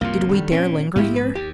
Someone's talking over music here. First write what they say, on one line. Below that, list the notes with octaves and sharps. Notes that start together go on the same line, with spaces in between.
Did we dare linger here?
C2 F#2 A2 A#3 F4
D3 D#3 G3
A#2 C4 C#4
A#1 G#2 B3 E4 G4 F5
B4
D#2 G4